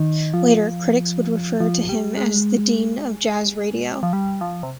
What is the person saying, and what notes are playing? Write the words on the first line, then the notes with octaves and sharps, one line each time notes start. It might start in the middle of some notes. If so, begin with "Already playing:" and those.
Later, critics would refer to him as "the dean of jazz radio".
Already playing: D#3
F3
F3
G3
G#3
F3
G3
F3
C3